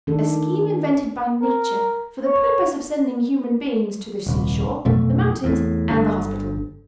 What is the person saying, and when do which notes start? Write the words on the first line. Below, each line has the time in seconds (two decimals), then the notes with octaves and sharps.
A scheme invented by Nature for the purpose of sending human beings to the seashore, the mountains and the hospital.
0.07 D#3 D4 A4
1.41 A#4
2.26 C#5
4.27 D#1 C2
4.85 B1 F2 B2 A3
5.44 E2 A2
5.91 G1 G2 D3